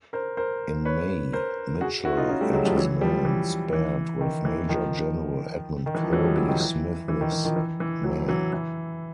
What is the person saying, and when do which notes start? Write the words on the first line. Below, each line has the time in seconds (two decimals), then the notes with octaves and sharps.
In May, Mitchel and his men sparred with Major General Edmund Kirby Smith's men.
0.13 A#4 C5
0.37 A#4 C5
0.85 B4 C#5
1.33 A#4 C5
1.81 F#4 G#4
2.05 E4 F#4
2.17 D#4 F4
2.29 C#4 D#4
2.41 G3 A3
2.53 F#3 G#3
2.65 F3 G3
2.77 E3 F#3
3.01 F3 G3
3.25 E3
3.73 E3
4.21 D#3
4.45 E3
4.69 D#3 F3
5.86 D#3
5.95 E3
6.04 F3
6.13 E3 F#3
6.20 G#3
6.24 F3 G3
6.36 E3 F#3
6.49 D#3
6.61 E3
7.08 E3
7.21 D#3
7.32 E3
7.45 D#3 F3
7.56 E3
7.80 E3
8.04 E3 F#3
8.28 E3 F#3
8.53 E3